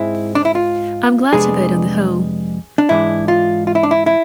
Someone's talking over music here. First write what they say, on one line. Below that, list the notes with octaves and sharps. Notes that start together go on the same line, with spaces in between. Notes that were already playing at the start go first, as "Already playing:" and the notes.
I am glad of it on the whole.
Already playing: G#2 G#3 C4 E4
D4
E4
F4
F2 C3 G#3 B3 D4 G#4
D4
G#2 E3 G#3 D4 E4
F4
F4
E4
D4
E4
E4